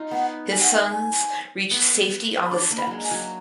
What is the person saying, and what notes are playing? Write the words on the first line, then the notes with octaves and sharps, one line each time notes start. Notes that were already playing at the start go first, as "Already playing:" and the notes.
His sons reached safety on the steppes.
Already playing: D#4 F4
B3 F#5
G#5
F#5
G#5
G#5
B3
B5
D4 D6
A#3
B5
F#3 G#3
G#5
F#3